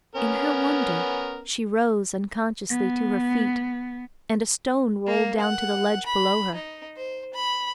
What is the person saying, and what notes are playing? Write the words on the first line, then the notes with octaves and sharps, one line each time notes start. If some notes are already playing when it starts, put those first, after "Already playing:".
In her wonder, she rose unconsciously to her feet and a stone rolled down to the ledge below her.
B3 C#4 A#4
B3
A#3
F#5
B5
D#4
C5
B5